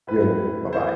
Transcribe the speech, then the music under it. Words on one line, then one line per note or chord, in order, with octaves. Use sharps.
Yeah, yeah. Bye-bye.
A2 E3 B4
A2 E3 C5